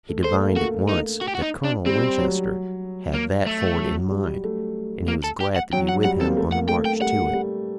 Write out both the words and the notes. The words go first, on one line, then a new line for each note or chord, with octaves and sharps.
He divined at once that Colonel Winchester had that ford in mind, and he was glad to be with him on the march to it.
A3
A3 C5
A#3
A3 F#4
D#4
F#4
G4
F#4
D#4
D4
G3 C4
F#3
A#3
A3
F#3
G3
A3
A#3
A4
G4
F#5
F#3 G5
F#5
G3 F#5
C4 A4
A#3
A3
A#3 F#5
A3 G5
G5
G3 F#5
G3